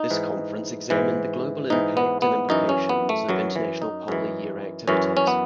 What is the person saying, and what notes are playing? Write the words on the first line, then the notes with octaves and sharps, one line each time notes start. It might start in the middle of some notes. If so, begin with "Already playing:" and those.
This conference examined the global impact and implications of International Polar Year activities.
Already playing: D#4
G#2 E3
G#2 E3
G#2 E3 D#4
B3
B3
F#2 E3 D#4
C#4
B3
A3
F#2 E3 F#3
E3
D#4
F#2 E3
F#2 E3 C#4
C#4
B3